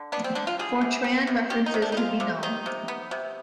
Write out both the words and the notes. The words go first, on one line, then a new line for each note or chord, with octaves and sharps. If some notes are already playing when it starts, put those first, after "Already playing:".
Fortran references can be null.
Already playing: D3
B3 D4
C4
D3 D4
F4
G3 G#4
C3
C4
C3
D#3 G4
D#4
C3
D4
D#4
G#3 F4
C3
D#3 D#4
C3
B3
C3